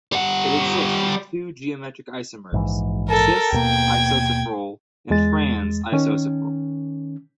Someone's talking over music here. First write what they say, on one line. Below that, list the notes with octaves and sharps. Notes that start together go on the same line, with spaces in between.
It exists as two geometric isomers, "cis"-isosafrole and "trans"-isosafrole.
G3 F#5
A#1 G#2 E3
A4 A#4
D#2 B2 A#3 G5 G#6
E2 G#3 A6
D#3 C#4